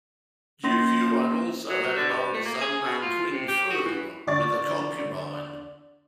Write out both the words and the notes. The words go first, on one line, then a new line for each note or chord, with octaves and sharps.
Duke Huan also had an older son named Qingfu with a concubine.
A#3 C#4 C6 A#6
F#3
D3
G2
A3
A#3
G#4
B2
F4
C3
G4
F#4
E3
D3 D5 C#6 A6